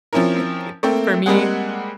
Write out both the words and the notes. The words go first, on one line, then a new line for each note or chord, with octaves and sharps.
I'd d for me
F3 C4 C#4 E4 A#4
A3 A#3 C4 G5
G3 G#3 A#3 C4 G#4 F#5